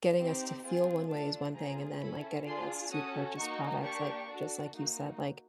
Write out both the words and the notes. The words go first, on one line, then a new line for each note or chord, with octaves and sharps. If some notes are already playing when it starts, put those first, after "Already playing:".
getting us to feel one way is one thing, and then, like, getting us to purchase products, like just like you said, like
C4 D#4 G4
C4 F4 G#4
A3 D4 F4 A4 A5
C4 F4 G#4 A#5
C#4 E4 A4 B5
D4 F4 G#4 C6
C#4 F#4 A4 D#6
A#3 D#4 F#4 C#6
A#3 D4 G4 C#6
D4 F#4 A4
A#3 D#4 F#4